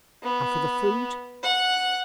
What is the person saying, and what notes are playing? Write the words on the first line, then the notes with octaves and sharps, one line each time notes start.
And for the food!
B3
F#5